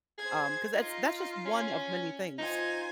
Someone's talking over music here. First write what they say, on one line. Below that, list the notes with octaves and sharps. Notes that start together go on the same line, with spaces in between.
um 'cause that's that's just one of many things.
G#4 C5 G#6
D#4 F4
C#4
D#4 F4 C5 G#5